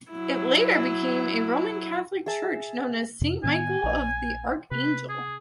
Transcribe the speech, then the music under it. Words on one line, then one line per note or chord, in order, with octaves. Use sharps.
It later became a Roman Catholic church known as "Saint Michael of the Archangel".
F#3 E4
G#4 E5 A5
F2 C3
A2 D#3 B3 G#5
A#1
C3 B4
G#4